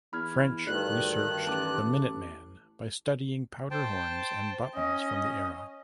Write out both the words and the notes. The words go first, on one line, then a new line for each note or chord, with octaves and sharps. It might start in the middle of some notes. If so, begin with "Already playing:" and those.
French researched "The Minute Man" by studying powder horns and buttons from the era.
E2 B5 F6 G#6
D2 G2 D#3 D5 F#6
A1 A5 D6
C5 G5 A5
C#4 D#5